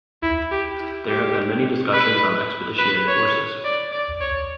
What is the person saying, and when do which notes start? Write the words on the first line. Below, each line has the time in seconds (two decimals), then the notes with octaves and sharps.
There have been many discussions on expeditionary forces.
0.22 E4
0.51 G4
0.79 E4
1.07 G4
1.92 B4
2.78 B4
3.07 C#5
3.64 D5
3.92 D5
4.21 C#5